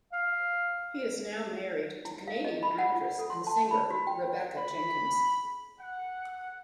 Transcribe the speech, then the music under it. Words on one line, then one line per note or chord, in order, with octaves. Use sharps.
He is now married to Canadian actress and singer Rebecca Jenkins.
F5
E4
F5
D#5
B5
F#5
F4
A4
C6
A5
B5
F#4
G5
B5
F#5